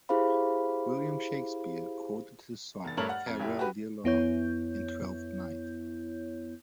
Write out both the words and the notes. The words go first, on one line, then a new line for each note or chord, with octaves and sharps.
William Shakespeare quoted his song, 'Farewell, dear love', in Twelfth Night.
E4 G4 G#4 C5 F5 B5
F1 A6
G2 A3 A#4 C#5 F6 F#7
F#5
F2
F#1 E4 G4
F#4 G4 B4
F2 B3 E4 C#5 G6